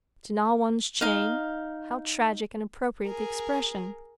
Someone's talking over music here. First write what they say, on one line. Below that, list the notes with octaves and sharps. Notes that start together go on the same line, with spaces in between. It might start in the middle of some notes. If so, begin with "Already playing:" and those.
To gnaw one's chain--how tragic and appropriate the expression!
D#4 F5
G#4 A#4